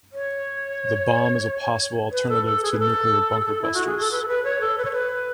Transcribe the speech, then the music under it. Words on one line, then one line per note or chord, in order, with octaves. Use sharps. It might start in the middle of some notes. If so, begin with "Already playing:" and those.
The bomb is a possible alternative to nuclear bunker busters.
C#5
B4
A4
A4
G#4
B4
A4
G#4
A4
E4
F#4
G#4
A4
B4
A4
B4
C#5
A4
B4
C#5
B4